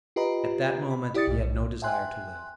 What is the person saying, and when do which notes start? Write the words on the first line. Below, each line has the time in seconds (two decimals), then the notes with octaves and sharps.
At that moment he had no desire to live.
0.16 F4 G4 B4 D#5 A#5 B5
0.90 B5
1.14 E4 G4 D5 D#6 A6 C#7
1.28 B1 G#2
1.82 E5 G5 G#5 C6 F#6